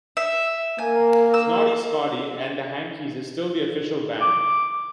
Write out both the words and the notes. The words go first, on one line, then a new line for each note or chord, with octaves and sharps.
Snotty Scotty and the Hankies is still the official band.
E5
A#3 A#4 G#5
E6
D6